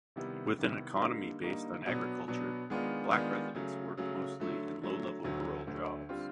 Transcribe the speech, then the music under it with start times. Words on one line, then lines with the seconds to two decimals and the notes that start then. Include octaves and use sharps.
With an economy based on agriculture, black residents worked mostly in low-level rural jobs.
0.16 C3 D#3 G3 B3 E4
0.58 C3 D#3 G3 B3 E4
1.00 D3 G3 A#3 D#4
1.43 D3 G3 A#3 D#4
1.85 B2 F#3 B3 D4
2.28 B2 F#3 B3 D4
2.70 D#3 G#3 B3 D4 F4
3.12 D#3 G#3 B3 D4 F4
3.55 C#3 F#3 A3
3.97 C#3 F#3 A3
4.40 D3 F#3 A3
4.82 D3 F#3 A3
5.24 D2 D3 F#3 A3
5.67 D2 D3 F#3 A3
6.09 D3 G3 C4 F4